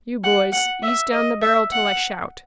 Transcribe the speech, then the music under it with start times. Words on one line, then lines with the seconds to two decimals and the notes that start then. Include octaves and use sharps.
You, boys, ease down the barrel till I shout.
0.24 F#5
0.52 F#5
0.83 E5
1.13 D#5
1.42 E5
1.72 F#5